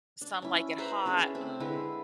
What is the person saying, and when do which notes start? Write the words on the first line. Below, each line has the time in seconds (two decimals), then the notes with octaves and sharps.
Some Like It Hot, and
0.21 D4
0.42 C#4 E4
0.78 B4 C5 E5 A#5
1.06 C#4 D4 G#4 D5
1.34 A3 C4
1.60 D3 G#3 E4 B4